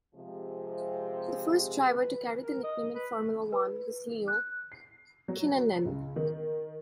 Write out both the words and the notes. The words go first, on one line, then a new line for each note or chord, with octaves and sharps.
The first driver to carry the nickname in Formula One was Leo Kinnunen.
C3 F3 G#3
B4
A#4
D#5
B4
A3
B4
F#6
C7
F#3
C#2
D#3